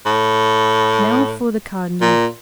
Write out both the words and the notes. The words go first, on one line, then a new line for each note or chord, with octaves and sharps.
Now for the Cardinal.
A2
A#2